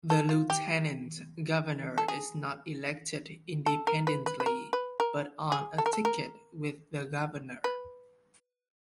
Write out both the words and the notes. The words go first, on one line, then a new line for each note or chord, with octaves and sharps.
The lieutenant governor is not elected independently, but on a ticket with the governor.
A4
F4
G4
A4
G#4
A4
A#4
B4
B4
B4
A#4
B4
A#4
G#4
A4
A#4
A4
A#4
B4